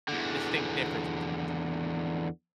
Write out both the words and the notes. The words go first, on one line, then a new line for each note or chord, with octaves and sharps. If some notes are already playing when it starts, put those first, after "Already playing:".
distinct difference between the two.
E2 D3